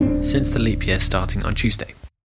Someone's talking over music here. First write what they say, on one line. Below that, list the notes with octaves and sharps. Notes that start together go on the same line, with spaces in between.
Since the leap year starting on Tuesday.
D1 G2 C4 D4